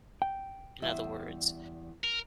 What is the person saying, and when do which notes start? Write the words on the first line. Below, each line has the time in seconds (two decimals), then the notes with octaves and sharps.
in other words.
0.22 G5
0.82 E2 G3 E5
2.04 A#4